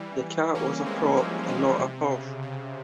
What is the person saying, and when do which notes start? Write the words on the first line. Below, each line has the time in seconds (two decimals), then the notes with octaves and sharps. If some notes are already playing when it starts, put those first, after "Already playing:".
The cat was a prop and not a purse.
Already playing: E3 G3
0.55 A#3 C#4
0.85 G#3 C4
1.17 F3 G#3
1.43 G3
1.48 F3 G#3
1.79 C3
2.11 C#3
2.42 C#3